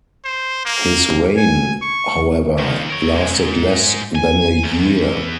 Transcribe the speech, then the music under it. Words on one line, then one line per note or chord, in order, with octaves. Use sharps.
His reign, however, lasted less than a year.
C5
A#3
G#5
C#6
D#2 D#3
A#4 C#5
B1 G#3
G#2
G#5
E2